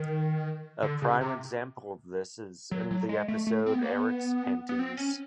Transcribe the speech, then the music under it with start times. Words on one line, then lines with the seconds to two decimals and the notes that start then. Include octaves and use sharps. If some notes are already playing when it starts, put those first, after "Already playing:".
A prime example of this is in the episode "Eric's Panties".
Already playing: D#3
0.82 D3
1.02 C#3
1.21 C3
2.71 F#3
2.91 F#3
3.09 G#3
3.28 A3
3.47 A3
3.66 C4
3.74 B3
3.83 A#3
3.91 B3
4.69 B3
4.79 C4
4.97 C#4